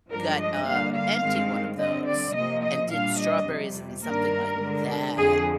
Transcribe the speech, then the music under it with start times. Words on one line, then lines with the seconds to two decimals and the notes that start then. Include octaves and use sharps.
got, uh, empty one of those and did strawberries in something like that.
0.11 G2 F3 G#3 D4 A#4
0.39 D#5
0.67 D3 G3 A#3 F5
0.95 F5
1.22 G2 D#3 G#3 C4
1.78 D3 G3 C4 D#5
2.07 D5
2.35 C3 F3 A#3 D#5
2.63 D#5
2.91 A#2 G3 D4 F5
3.20 D#5
3.48 F2 C3 G3
4.04 G2 D#3 A#3 D4 A#4
4.60 D3 G#3 D4
5.16 F2 D3 F3 G#4